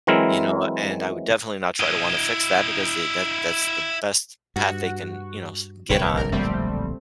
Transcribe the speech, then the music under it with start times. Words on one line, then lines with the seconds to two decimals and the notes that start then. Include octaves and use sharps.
you know, and I would definitely not try to wanna fix that because they that that's the best path they can, you know, s get on.
0.07 E3 F#3 G#3 C4 E4 A#4
1.80 E4 D#5
4.56 G2 F#4
5.89 D1 C2 B4 C#5 G5
6.14 A#1 A#4
6.32 D1 A#1 G3 A3 C4